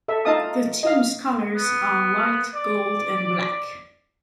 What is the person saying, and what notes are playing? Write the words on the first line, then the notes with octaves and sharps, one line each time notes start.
The team's colours are white, gold and black.
A4 E5
D#4 F4 D#5 F5 A5 D#6
D#5 F5
B3
D5